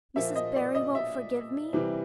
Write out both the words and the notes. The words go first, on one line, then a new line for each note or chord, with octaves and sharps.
"Mrs. Barry won't forgive me?"
A#2 F3 A#3 E5
D#5
D5
D#5
E5
C3 E3 G3